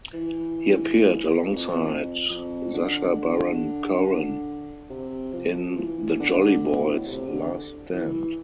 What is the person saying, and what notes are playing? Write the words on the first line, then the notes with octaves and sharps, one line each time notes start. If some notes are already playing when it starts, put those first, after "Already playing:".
He appeared alongside Sacha Baron Cohen in "The Jolly Boys' Last Stand".
E3
F2
F2
D3
C3
F3
E3
D3
B2
A2
C3
D3
E3